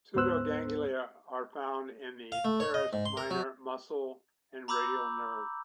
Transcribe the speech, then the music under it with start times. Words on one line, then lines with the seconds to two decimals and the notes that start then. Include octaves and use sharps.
Pseudoganglia are found in the teres minor muscle and radial nerve.
0.15 D2 G#2 B3 C5 E6 F#6
2.32 F5
2.45 A3
2.60 C#5
2.74 D#5
2.93 G#2
3.06 C6
3.17 A#4
3.31 F#3
4.68 A#5 B5 D6 E6 G6